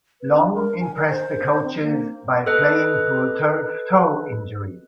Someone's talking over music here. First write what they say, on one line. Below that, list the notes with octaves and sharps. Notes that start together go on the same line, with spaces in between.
Long impressed the coaches by playing through a turf toe injury.
B4
D4
A#4
G#5
A#4
C5
C4
A#3
A4 B4 D#5